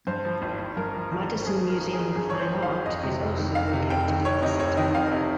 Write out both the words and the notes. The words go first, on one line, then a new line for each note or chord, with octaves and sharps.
Madison Museum of Fine Art is also located in the city.
G2 C5
F3
G#1
G#1
G2 A#4
F3
G#1
G#1
G2 G#4
F3
A#4
G#1
G#4
G#1
G2 G#4
F3 C#5
C5
G#1
F5
G#1
F2 D#5
C3
F1
D#3
F2 F5
C3
F1 G5
D#3
F2 C#5
C3 D#5
F1 C#5
D#3 D#5
F2 F5
C3